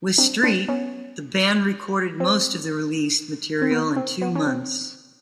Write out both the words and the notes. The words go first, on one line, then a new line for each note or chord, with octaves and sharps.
With Street, the band recorded most of the released material in two months.
C4 D4
C4 D4
B3 C#4
C4
C4
B3
C4
B3
C#4
C4